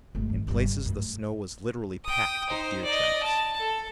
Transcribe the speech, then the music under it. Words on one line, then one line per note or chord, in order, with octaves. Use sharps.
In places the snow was literally packed with deer tracks.
G#1 A3
D#3
G1 G3
C#3
F#2 A2
G5 D#6
D#4 C5
D5 D#5
A5
A4